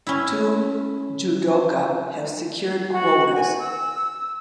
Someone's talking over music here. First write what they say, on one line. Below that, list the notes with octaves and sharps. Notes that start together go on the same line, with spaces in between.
Two judoka have secured quotas.
C#4 E4
F#4
G#5
E6